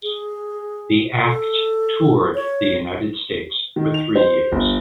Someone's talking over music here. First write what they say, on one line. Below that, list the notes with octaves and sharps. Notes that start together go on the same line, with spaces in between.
The act toured the United States for three years.
G#4
A4
C#5
D#3
F7
C5
G1